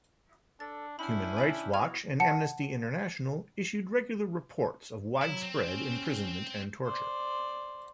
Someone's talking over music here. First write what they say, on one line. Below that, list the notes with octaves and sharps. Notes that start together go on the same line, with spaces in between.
Human Rights Watch and Amnesty International issued regular reports of widespread imprisonment and torture.
D4 A4 A6
C#4 D4 E4 E5 G5 B5
G#5 B5 G6
B3 E4 F#4 F6 G#6 F7
F#5 A5 C#7
F#3 E4
C4
C#4
C5 D5